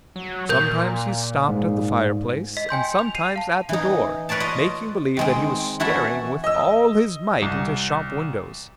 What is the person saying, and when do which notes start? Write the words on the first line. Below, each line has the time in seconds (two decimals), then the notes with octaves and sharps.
Sometimes he stopped at the fire-place, and sometimes at the door, making believe that he was staring with all his might into shop-windows.
0.16 F#3
0.49 A#2 A#4 G6
1.48 G#2
2.57 D#5 B6
2.69 G5 G#5 C6 G6
2.84 G5
2.99 F7
3.15 C7 D#7 F7
3.36 F5 A5
3.69 E3 D#4
4.29 A#4 B4 C#5 D5 A5
4.40 F4 D#5
5.17 D#3 G#3 C4
5.80 E3 E4 F#4 A4 E5
6.44 D#5 E6
7.42 C2